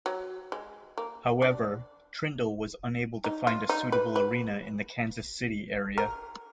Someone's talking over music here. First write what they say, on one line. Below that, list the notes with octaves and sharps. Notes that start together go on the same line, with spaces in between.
However, Trindle was unable to find a suitable arena in the Kansas City area.
F#3
G#3
A#3
D4
D#4
F4
D#4
B4
B4
A#4